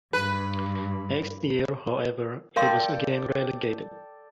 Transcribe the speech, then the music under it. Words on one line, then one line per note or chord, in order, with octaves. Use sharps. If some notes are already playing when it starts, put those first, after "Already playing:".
Next year, however, it was again relegated.
G2 B4
A4 A#4 D5 F5 G5 C6